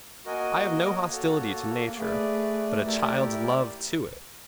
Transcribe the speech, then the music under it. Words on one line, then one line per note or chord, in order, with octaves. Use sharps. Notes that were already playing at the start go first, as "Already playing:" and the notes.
I have no hostility to nature, but a child's love to it.
A#3 F#4 A#4 D#5 G#5
F#4 A4 C#5
A3 G#4 B4 D5
E4 G4 A#4 D5